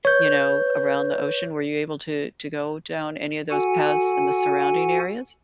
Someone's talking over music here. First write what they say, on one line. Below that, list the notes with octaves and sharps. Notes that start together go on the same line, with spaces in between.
you know, around the ocean, were you able to to go down any of those paths in the surrounding areas?
B4 C#5 G6
F#4 A4 F#5 G#5